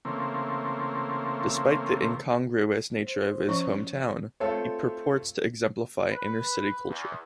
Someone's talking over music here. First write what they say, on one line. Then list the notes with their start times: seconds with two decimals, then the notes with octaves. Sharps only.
Despite the incongruous nature of his hometown, he purports to exemplify inner city culture.
0.05 C#3 E3 A3 A#3 C4
3.03 C5
3.49 F3 C#4 C#6
4.40 A3 C4 F4 A4 C5 C#5
6.12 B4
6.89 E2